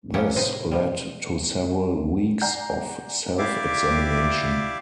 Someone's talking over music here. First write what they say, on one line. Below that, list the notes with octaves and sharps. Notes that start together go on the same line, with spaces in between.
This led to several weeks of self-examination.
A#3 B3 C#4 G4 E5 F#5
A2 C3 D#4 B4 C5
B2 F3 G3
D5 F#5 G#5 A#5 G6 C7
E4 G4 D5 E5 F5 D6